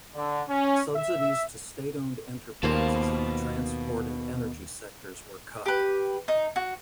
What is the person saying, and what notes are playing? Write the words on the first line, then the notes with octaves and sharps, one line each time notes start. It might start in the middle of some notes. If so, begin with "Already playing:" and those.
Subsidies to state-owned enterprises in the transport and energy sectors were cut.
D3
C#4
E5
D#2 B2 A#3 C4 F4 A5
G4 B4
D#4
F#4